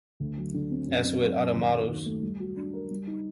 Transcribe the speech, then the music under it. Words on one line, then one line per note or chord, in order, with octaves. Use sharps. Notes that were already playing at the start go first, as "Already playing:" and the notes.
As with other models.
D2
F#3
D3
C4
F#2
C4
F#3
F#2
D#2
F#3
D#3
A3
G3
F#4
D4
A#4
G3
D#4